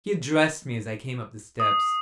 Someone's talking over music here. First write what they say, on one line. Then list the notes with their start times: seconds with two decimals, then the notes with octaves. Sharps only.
He addressed me as I came up the steps.
1.60 D#6